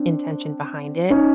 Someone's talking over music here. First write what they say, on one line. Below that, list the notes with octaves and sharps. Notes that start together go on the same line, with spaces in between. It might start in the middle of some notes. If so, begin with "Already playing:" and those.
intention behind it,
Already playing: C4 D4
C#4 D#4